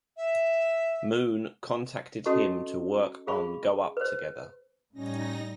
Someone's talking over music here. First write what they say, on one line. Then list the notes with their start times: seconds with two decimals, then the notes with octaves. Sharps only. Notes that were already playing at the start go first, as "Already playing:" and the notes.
Moon contacted him to work on "Go Up" together.
0.17 E5
2.26 C#4 F#4 A4 D#5 A5 C#6
3.27 G#4 F5 B5 C#6
3.97 B4 C5
4.94 A2 G3 C#4 D#4 A#6